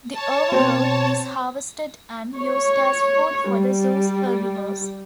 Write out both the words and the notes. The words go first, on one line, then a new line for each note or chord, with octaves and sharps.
The overgrowth is harvested and used as food for the zoo's herbivores.
C#5 A5
B2 C4 C5
C#5
G3